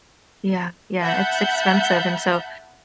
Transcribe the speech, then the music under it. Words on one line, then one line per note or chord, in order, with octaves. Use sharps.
Yeah, yeah it's expensive, and so
E5 F#5 A5 B5 G6